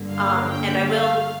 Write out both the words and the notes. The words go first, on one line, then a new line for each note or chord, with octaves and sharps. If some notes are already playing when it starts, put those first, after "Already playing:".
um, and I will
Already playing: G2 D3 A#3
F5
G5
F5